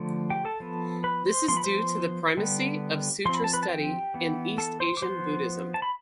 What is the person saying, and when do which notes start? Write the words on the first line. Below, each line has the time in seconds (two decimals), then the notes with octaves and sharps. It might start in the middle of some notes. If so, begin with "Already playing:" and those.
This is due to the primacy of sutra study in East Asian Buddhism.
Already playing: D3 F3 A3
0.30 G4 G5
0.45 A4 A5
0.60 F3 B3
1.04 B4 B5
1.26 C5 C6
1.48 F3 C6
1.53 B3 B5
1.64 C5 C6
2.37 D3 G3 B3
3.25 F3 C4 C6
3.35 B5
3.44 A5
3.53 B4 B5
3.63 A5
3.70 G4 G5
4.14 E3 B3
4.58 A4 A5
4.80 C5 C6
4.97 D6
5.02 F3 B3 C5 C6
5.74 A5
5.82 B5